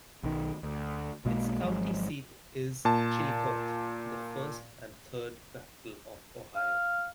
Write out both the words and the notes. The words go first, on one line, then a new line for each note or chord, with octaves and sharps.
Its county seat is Chillicothe, the first and third capital of Ohio.
B1 D#3
D2
B1 B2 G#3 A#3
G#1 F3 F#3 G#3
A#2 A5
F5